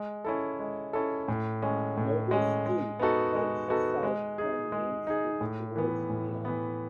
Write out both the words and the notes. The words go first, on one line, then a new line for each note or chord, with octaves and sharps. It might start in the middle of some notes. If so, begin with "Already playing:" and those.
Noble Street heads south from Main Street toward Lyons.
Already playing: G#3
C#4 E4 A4
G#3
C#4 E4 A4
A2
G#3 C#4
A2
G#3 C#4
G#3
B3 D#4 F#4 A4
G#3
B3 D#4 F#4 A4
G#3
D#4 G#4
G#3
D#4 G#4
A2
E3 B3
A2
E3 B3